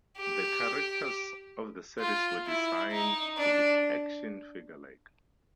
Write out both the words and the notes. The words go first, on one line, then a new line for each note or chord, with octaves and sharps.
The characters of the series were designed to be "action-figure-like".
G4
F4
E4
D#4
D4